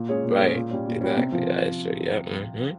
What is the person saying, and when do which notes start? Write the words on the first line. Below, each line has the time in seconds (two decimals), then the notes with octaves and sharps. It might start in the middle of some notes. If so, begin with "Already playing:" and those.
Right, exactly, yeah, it's true, yeah, mhm.
Already playing: A#2
0.09 G#3 C#4 G#4 C#5
0.24 A#2
0.39 G#3 C#4 G#4 C#5
0.55 A#2
0.71 G3 C#4
0.86 A#2
1.01 G3 C#4
1.17 C3
1.32 F3